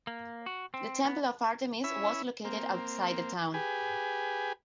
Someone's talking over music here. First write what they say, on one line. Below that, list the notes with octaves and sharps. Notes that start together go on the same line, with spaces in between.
The temple of Artemis was located outside the town.
A#3
F#4
C4
B3
C#4 E4 B5 E6
A#3 C4
G4 G#4 B4 G#5